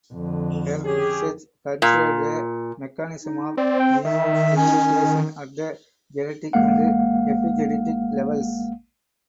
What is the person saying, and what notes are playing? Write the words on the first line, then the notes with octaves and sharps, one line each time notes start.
Her research considered the mechanisms of genome replication at the genetic and epigenetic levels.
F2 D3
C#4 G4 G#4
A#2
D#4
C4 D5
G5
D#3 E5
C#4
A1 G#3 A#3 F5 F#5